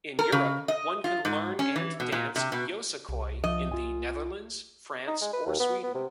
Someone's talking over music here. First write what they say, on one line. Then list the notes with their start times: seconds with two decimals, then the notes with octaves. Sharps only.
In Europe, one can learn and dance Yosakoi in the Netherlands, France or Sweden.
0.19 A#4
0.32 C#3
0.68 D#5
1.04 F4
1.25 G#2
1.59 C#4
1.76 E3
2.00 B2
2.12 A#2
2.36 C3
2.52 B2
3.09 C2
3.44 F3 D#5
3.72 F4 G#5
5.07 D#4
5.22 G#3
5.33 B4
5.46 D#2
5.60 B3
5.83 B3
5.94 C3